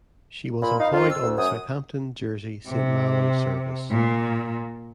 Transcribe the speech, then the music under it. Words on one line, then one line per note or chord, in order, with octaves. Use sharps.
She was employed on the Southampton - Jersey - Saint Malo Service.
A#2 B5
D#4 F5
F2 F4
E6
D2
F#2 D#6
C3
A#2